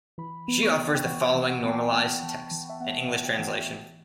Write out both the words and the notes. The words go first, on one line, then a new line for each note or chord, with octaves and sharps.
She offers the following normalized text and English translation.
E3 B5
B3
C#6
B3
G5
E3 F#5
F#5
E3
F#5
B3 A5
G5
B3 A5
G5
A5
E3
A5
G5
E3
E5
B3 F#5
B3
G5
E3
E3